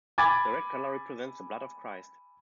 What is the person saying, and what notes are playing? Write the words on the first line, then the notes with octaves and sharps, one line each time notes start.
The red colour represents the blood of Christ.
G#5 B5 D6 G#6 A6